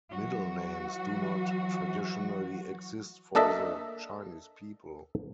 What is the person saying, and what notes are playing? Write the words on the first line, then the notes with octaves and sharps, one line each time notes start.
Middle names do not traditionally exist for the Chinese people.
E3 F#3 F#4
A#3 D4 A4 D#5 E5